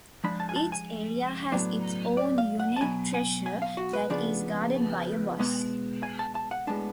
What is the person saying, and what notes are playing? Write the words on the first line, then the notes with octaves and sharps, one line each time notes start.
Each area has its own unique treasure that is guarded by a boss.
F3 G#3 D4 B5
A5
G#5
A5
G#5
A2 F#3 B3 D4
D5
F5
F#5
A5
B2 F#3 B3 G#5
G#5
G#5
F5
F#4
B4
C#3 F3 B3 D4 D5
B2 G#3 B3
G#5
A5
A5
F#5
A2 G#3 B3 D4 A5